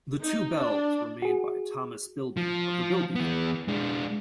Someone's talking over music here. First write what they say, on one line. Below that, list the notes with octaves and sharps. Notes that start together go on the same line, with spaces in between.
The two bells were made by Thomas Bilbie of the Bilbie family.
D#4
D4
F#4 G#4
F3
E3 B3
G#3 D4